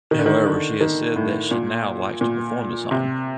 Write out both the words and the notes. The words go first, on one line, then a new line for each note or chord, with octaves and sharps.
However, she has said that she now likes to perform the song.
D#3
D3
D#3
D3
D#3
A2
A#2
A#2
C3